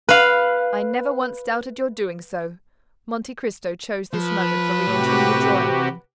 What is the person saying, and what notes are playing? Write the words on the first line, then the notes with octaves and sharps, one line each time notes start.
"I never once doubted your doing so." Monte Cristo chose this moment for re-entering the drawing-room.
B4 F5
F3 B4
A2 C3 F#4 G4